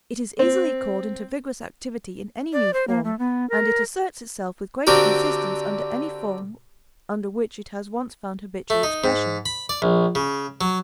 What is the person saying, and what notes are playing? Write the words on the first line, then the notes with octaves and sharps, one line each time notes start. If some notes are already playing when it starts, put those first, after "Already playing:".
It is easily called into vigorous activity in any new form, and it asserts itself with great insistence under any form under which it has once found habitual expression.
C4
D5
C5
A#3
A3
B3
A#4
D3 C4 F#4 G4 A#4
A3
D#4
G#2
B5
D5
A#1
C#3
F#3